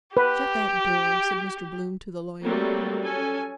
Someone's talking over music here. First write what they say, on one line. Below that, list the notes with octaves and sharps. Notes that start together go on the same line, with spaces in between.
"Shut that door," said Mr. Bloom to the lawyer.
G4 B4
F#3 G3 A3 A#3 C4
C#4 A4 G#5